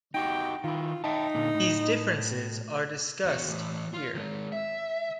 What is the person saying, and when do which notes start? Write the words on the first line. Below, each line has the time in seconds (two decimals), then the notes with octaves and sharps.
These differences are discussed here.
0.14 D#4 F#4 G4 G5
0.64 D#3 E4 F4
1.04 D#4 E5 G5 A5
1.35 A#2 D3
1.55 A2
3.25 E2 F#4
3.48 E3 A3
3.94 F4
4.14 D#3 G#3
4.52 E5